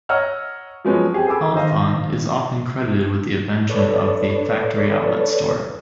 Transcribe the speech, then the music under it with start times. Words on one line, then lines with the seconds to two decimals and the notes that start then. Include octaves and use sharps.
Alfond is often credited with the invention of the factory outlet store.
0.09 C#5 D#5 F#5 A#5 E6 F6
0.85 F3 F#3 G#3 B3 C#4
1.14 C4 G4 G#4
1.27 G#4 A4 G#5 B5 D6 E6
1.54 D#3 C5 D#5 F5
3.69 A4 B4 C#5 D5